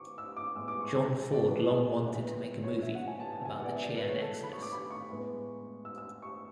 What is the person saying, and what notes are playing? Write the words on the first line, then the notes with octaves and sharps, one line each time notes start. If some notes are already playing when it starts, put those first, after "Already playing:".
John Ford long wanted to make a movie about the Cheyenne exodus.
Already playing: C#6 D6
E6
D6
A2 G#3 B3 E6
D6
C#6
A5
D5
B4
B4
G#4
A2 G#3 B3
C#5
E5
F#5
G#5
A5
A5
G#5
A2 G#3 B3 F#5
D5
E5
D5
B4
C#5
A4
B5
C#6
D6
B5
C#6
A2 G#3 B3
E6
E6
C#6